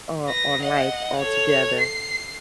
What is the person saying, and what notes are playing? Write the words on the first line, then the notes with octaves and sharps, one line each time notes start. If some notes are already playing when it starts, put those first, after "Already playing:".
on on life altogether.
B4 A#6
D#5 F#5
A4 C#5
C7